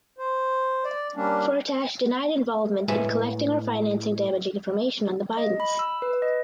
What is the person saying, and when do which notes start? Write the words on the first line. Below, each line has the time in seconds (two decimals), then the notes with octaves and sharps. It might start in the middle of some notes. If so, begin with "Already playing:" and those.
Firtash denied involvement in collecting or financing damaging information on the Bidens.
0.18 C5
0.84 D5
1.15 G3 A#3 C#4 D4
2.88 A2 G#3 B4 E5 G#5
5.37 D#5
5.60 B5
5.79 E6
6.02 B4
6.22 D#5